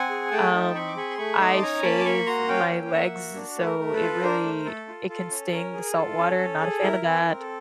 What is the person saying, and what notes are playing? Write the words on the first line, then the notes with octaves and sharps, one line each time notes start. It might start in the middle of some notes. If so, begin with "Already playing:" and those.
Um, I shave my legs so it really i it can sting, the salt water, not a fan of that.
Already playing: C4 F#5 G#5
G#4
A3 G5 A5
D#4
C4 B5 C#6
D6
G#4 B5 C#6
C6
A3 B5 C#6
D#4 C6 D6
A5
C#4 G#5 A#5
A#3 A5 B5
D6
A#3 B5 C#6
F#4 A#5 C6
C#4 F5 G5
A#3
F5
A#3 E5 F#5
F#4
D4
A3 B4
A#4
A3
A4 B4
F4
D4 A#4 C5
A3
A3 A4
F4
F4 A4
C#4
C#4 A#4
G#4
A#4
F4 A4
C#4
C#4
G#4
E4 A#4
C4
A#4
C4
A4